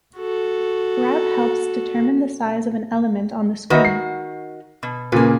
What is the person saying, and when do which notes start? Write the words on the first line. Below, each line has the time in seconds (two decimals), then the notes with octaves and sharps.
Grab helps determine the size of an element on the screen.
0.17 F#4 A4
3.70 D#3 F#4 B4 D#5 E5
3.85 C7
4.83 B2
5.12 A#2 C#3 A#3 B4 G#5